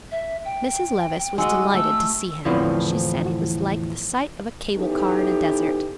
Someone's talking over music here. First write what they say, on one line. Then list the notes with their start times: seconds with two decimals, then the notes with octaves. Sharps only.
Mrs. Levice was delighted to see him; she said it was like the sight of a cable-car in a desert.
0.11 E5
0.45 G5
1.38 G#3 F#4 D#5 E6
1.74 A3 E6
2.45 E2 A2 D3 E3 F3 C4
4.76 E3 B3 C#4 D#4 G4 A4